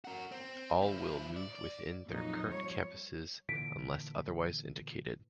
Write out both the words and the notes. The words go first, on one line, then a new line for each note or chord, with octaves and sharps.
All will move within their current campuses unless otherwise indicated.
F#4 A#4
C4
F3 E4
D5
D5
F2 A#2 F#3 D#4
F3 G3 C#5
A#2 D3 E3 B6 D7